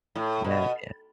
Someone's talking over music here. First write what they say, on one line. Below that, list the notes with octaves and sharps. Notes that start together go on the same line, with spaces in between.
Yeah, yeah.
A2
B2